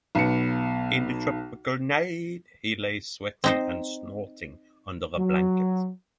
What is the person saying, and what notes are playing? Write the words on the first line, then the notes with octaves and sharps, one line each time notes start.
In the tropical night he lay sweating and snorting under a blanket.
B1 B3 C#7
C4 D#4 C5
F#3